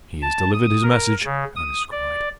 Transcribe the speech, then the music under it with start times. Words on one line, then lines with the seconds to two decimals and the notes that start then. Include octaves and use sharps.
"He has delivered his message," Ernest cried.
0.22 A5
0.53 D#6
0.83 A#4
1.25 C#3
1.56 D#6
1.91 D5